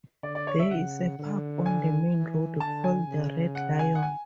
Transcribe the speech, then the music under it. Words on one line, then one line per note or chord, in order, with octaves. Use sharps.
There is a pub on the main road called the Red Lion.
D3 D5
D5
C#5
E5
C#3 F#5
D3
G#5
E3
D3 A5
G#5
C#3
F#5
G#5
F#5
G#5